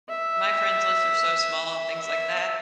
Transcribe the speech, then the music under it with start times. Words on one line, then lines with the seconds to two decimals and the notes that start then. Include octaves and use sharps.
My friends lists are so small on things like that,
0.09 E5
1.99 E5